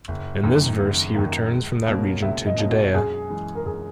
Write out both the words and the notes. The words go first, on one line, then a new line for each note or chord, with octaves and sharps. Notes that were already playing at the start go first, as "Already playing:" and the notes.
In this verse he returns from that region to Judea.
F#1
F#2 D#3 A#3
F#1
F#2 D#3 A#3
C#2
B2 A#3 C#4
C#2 E5
D#5
B2 A#3 C#4
F#4
F#2 G#4
E3 G#3
A#4
F#2 G#4